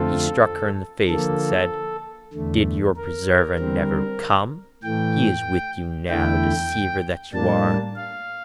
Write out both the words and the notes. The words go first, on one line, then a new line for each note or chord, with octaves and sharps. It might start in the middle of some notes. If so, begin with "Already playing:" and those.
He struck her in the face, and said, 'Did your preserver never come? He is with you now, deceiver that you are.
Already playing: F2 D3 A3 C4 F4 A4
D3 F3 A#3 A4
E2 D3 A3
A#4
D3 G3 C4
A2 E3 A3 G5
E2 D3 A3 E4 G5
A2 G3 A#3 D4 A5
F5